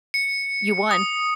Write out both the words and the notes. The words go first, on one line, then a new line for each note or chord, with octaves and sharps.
You won.
C#7
D#6